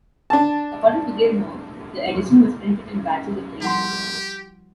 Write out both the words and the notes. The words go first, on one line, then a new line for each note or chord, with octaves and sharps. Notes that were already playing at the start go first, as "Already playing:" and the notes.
According to Gilmour, the edition was printed in batches of eight.
D4 A5
C#4 F#4
F3 G3 E4 F#4 G4 F#5 C6